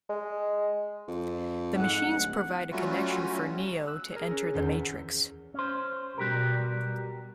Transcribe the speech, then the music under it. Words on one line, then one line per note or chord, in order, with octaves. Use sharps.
The Machines provide a connection for Neo to enter the Matrix.
G#3
F2
G#2 F#5
D1
F#3 G3 A3 C#4 F4 F#4
E6 F#6
G#4 A#4
C#4
D#1 E2 G6
C#4 C5
B2 G3 F#4 G4 A#4